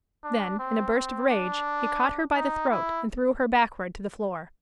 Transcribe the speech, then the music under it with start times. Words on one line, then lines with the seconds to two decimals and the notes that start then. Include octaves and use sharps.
Then, in a burst of rage, he caught her by the throat and threw her backward to the floor.
0.24 D4
0.59 C4
0.94 C4
1.29 D4
2.35 D#4
2.71 E4